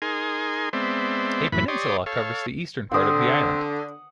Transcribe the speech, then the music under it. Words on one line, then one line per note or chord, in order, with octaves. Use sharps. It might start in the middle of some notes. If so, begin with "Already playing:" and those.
A peninsula covers the eastern part of the island.
D#4 G#4 A#4 G#5 C6
G#3 B3 C4 C5 D5 E5
F#2 A2 E3 B4 B5
G4 C#5 D5 C6 D#6
A4 C#5 F5
D3 C4 F#5 D#6